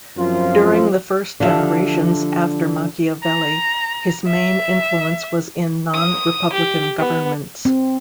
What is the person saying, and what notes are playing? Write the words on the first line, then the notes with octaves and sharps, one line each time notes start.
During the first generations after Machiavelli, his main influence was in non-Republican governments.
F#2 F3 C4 F4
D3 F3 G4 E5 A5
A#5
E5
D#6
G4
B3
C4